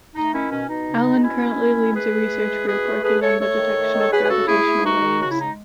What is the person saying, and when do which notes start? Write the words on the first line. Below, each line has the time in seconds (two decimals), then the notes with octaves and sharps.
Allen currently leads a research group working on the detection of gravitational waves.
0.14 A3 D#4
0.32 D#3 C#4 E4
0.50 B2 C#4
0.68 B2 D#4
0.86 C#3
1.05 G#3
1.22 B2 C#4 E4
1.40 A3
1.59 A3
1.77 D#3
1.94 A3 G#4 B4
2.12 A3
2.31 G#3
2.49 E3
2.67 B2 G#4 B4
2.85 A3
3.02 A3 G#4 B4
3.20 A3 A4 C#5
3.38 A3 A4 C#5
3.57 D#3
3.75 A3
3.93 D#3
3.99 A4
4.11 F#3 G#4 B4
4.23 G#4
4.28 C#3 F#4 A4
4.47 A3 E4 G#4
4.65 A3
4.83 D#3 D#4 F#4
5.02 D#3
5.19 C#3 F#4
5.29 E4
5.37 G#3 D#4